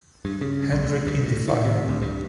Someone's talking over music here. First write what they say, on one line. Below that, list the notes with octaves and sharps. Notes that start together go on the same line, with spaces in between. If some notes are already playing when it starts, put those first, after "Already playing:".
Hendrick in the final.
G2
C#3
B1
D2
G2
A2
D#3
C3
D2
G2